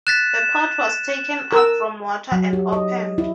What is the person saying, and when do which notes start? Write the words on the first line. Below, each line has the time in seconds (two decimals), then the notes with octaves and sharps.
The pot was taken up from the water and opened.
0.07 F#6 A6 B6 E7
1.52 A#4 E6
2.32 F#3
2.53 G4
2.73 D#5
3.18 E4